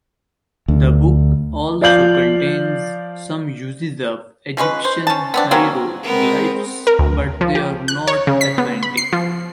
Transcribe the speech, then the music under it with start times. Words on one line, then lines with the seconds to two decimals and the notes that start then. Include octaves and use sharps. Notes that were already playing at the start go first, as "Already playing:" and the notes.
The book also contains some uses of Egyptian hieroglyphs, but they are not authentic.
0.68 D2
1.81 F3 D5 F5 G6 F#7
4.57 F3 G#3 C#4 B4
4.85 C5
5.07 C#4 A5
5.34 B3 C4 D4
5.51 F#3 A#3 C4 C#4
6.04 G#3 B3 C4 A#4
6.87 A#4
6.99 D2
7.41 F3
7.55 G4
7.88 F#6
8.07 C#5
8.27 C#3
8.41 B6
8.58 B3
8.83 B5
8.97 C7
9.12 F3